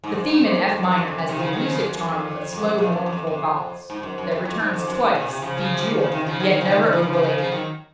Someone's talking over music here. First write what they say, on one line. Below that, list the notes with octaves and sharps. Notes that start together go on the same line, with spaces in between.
The theme in F minor has the elusive charm of a slow, mournful valse, that returns twice, bejewelled, yet never overladen.
G#2
F#2
G#2
F2
F#2
F2
F#2
F2
F#2
F2
F#2
C3 D#3
C#3 F3
D#3 F#3
C#3 F3
F#2
F#2
F2
F2
F#2
A#2
F#2
F#2
F2
F2
G#2
F#2
F#2
F2
F2
G#2
F2
F#2
F#2
A#2
C3
C#3 F3
C#3 F3
C3
C#3
D#3
C#3 F3
C3 D#3
C#3 F3
D#3 F#3
D#3 F#3
C#3 F3
C3 D#3
C#3 F3
C#3 F3
C#3 F3
C#3 F3
C#3 F3
C#3 F3
D#3 F#3